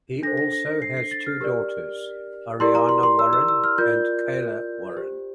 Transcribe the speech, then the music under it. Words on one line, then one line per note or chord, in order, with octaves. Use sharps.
He also has two daughters, Ariana Warren and Kayla Warren.
D4 A4 C5 A#6
A#6
A#6
A#6
C7
C7
A6
F6
G4 A#4 D5
E4 G4 A#4 D5 C6
A#5
C6
C6
E6
E6
E6
F6
F4 A#4 D5 G6
G4 C5